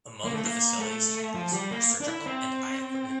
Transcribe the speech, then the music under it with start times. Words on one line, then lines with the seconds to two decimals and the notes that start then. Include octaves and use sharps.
Among the facilities it has are surgical and eye equipment.
0.25 A#3
0.34 A3
0.44 A#3
0.80 A3
1.35 F3
1.53 G3
1.71 A#3
2.01 D4
2.08 E4
2.26 C4